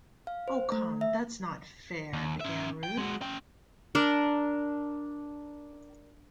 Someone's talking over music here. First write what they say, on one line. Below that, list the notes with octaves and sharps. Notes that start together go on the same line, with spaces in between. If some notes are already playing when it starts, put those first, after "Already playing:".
"Oh, come; that's not fair," began Ruth.
F5
C5
A3
E5
D#2
C#4 E5
G5
G#3 F#4
C#4 G5
D4 A#4